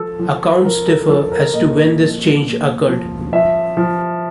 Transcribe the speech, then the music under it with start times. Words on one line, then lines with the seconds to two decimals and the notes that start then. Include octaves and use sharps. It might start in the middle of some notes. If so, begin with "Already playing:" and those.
Accounts differ as to when this change occurred.
Already playing: F3 A4
0.19 F3
0.64 F3 A#4
0.87 A4
1.09 F3 A4
1.32 A#4
1.53 A#2 D#5
1.99 F3
2.43 A#2
2.88 F3
3.33 F3 E5
3.77 F3